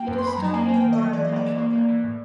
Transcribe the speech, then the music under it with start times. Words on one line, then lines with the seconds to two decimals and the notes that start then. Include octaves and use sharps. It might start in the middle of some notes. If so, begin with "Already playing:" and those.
It is still being learned by children.
Already playing: A#3 G5
0.08 F#2
0.18 C6
0.23 F#2 B5
0.36 F#3 A#5
0.44 A5
0.53 A#3 G#5
0.69 A#3
0.74 G5
0.84 D#3
0.93 D#5
0.98 F#3
1.13 E3 D5
1.24 A#3 D#5
1.36 D5
1.44 E3
1.58 A#3
1.73 A#3
1.88 E3
2.04 A2